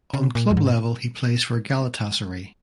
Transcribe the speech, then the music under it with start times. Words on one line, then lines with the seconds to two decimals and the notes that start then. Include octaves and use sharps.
On club level he plays for Galatasaray.
0.14 C#3
0.35 A#2
0.51 F2
0.57 G#2